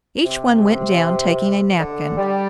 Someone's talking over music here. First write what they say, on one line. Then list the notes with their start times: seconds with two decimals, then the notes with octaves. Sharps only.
Each one went down, taking a napkin.
0.24 C3
1.78 D3
2.17 G3